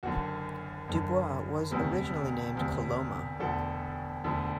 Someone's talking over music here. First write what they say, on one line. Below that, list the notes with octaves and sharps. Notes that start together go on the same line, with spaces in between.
Du Bois was originally named Coloma.
F#1 F#2 D3 F#4
F#1 F#2 D3
E1 D2 C3
E1 D2 C3
E1 D2 D3 F#4 A4
E1 D2 D3